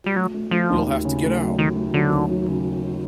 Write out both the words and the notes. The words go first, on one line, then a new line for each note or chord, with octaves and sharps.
You'll have to get out!
G3
F#3 A3
A3
F3 A3
D#2
D#2
C#3
A3
F#3
D#3 A3
A3
D3 F#3
D#2
F#3
C#3